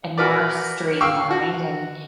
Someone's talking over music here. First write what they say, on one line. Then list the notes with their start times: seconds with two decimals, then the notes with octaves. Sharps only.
and more streamlined, and
0.18 F#4 A#4 B4 D5
1.01 F5 G5 C#6 E6
1.31 F#4